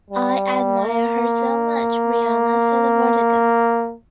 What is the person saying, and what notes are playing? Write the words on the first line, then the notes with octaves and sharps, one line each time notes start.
"I admire her so much," Rihanna said of Ortega.
G3
A#3